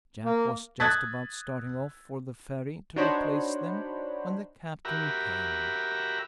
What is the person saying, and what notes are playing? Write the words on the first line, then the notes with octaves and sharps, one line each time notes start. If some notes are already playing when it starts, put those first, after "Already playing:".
Jack was just about starting off for the Ferry to replace them when the Captain came.
A#3
D#6 F#6 G#6 A6 B6
D4 D#4 F#4 C5 C#5 B5
F#4 G4 A#4 E5 A#5 B5